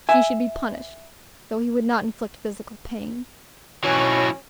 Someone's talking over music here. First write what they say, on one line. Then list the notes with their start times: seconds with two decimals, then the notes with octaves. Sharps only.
She should be punished, though he would not inflict physical pain.
0.09 E5 G#5
3.84 B2 E3 F#3 C#4 F#4 C#6